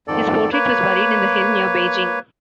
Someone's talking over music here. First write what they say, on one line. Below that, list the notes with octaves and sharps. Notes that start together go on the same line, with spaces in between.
His portrait was buried in the hill near Beijing.
F2 G#2 D#3 A4 D5
A#3 B4 C#5